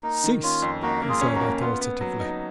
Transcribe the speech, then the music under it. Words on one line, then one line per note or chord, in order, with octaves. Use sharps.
"Cease!" he said authoritatively.
A#3 D#4
D#3
C#4 F4
F2
A#3 D#4 F#4
A#3
F4 G#4
C#4
D#4 F#4
A#3
B3 F4
B3
F#3
D#4